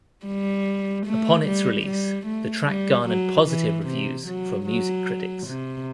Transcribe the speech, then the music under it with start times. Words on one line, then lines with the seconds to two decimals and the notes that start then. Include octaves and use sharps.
Upon its release, the track garnered positive reviews from music critics.
0.26 G3
1.06 A3
1.46 G3
1.86 G3
2.26 A3
2.67 G3
3.06 F#3
3.47 E3
3.87 C3
4.26 F#3
4.66 F#3
5.46 C3